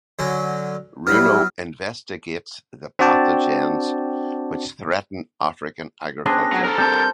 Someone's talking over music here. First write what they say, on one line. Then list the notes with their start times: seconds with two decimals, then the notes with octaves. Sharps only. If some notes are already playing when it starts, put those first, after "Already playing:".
Runo investigates the pathogens which threaten African agriculture.
0.19 D3 F#3 C#4
1.07 F#3 G3 B3 E4 F6
2.99 C4 D4 F#4 D5 G5 A5
6.26 B3 C#4 D4 G#4 C5 G5 A#6
6.52 F#3
6.65 A4 A#4
6.78 G3 C4 A5 G6